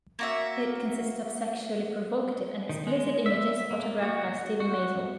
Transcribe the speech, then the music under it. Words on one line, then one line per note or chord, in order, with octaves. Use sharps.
It consisted of sexually provocative and explicit images, photographed by Steven Meisel.
A#3 F#4 E5
D#3
G#3
E5
A#3
F#4
F#4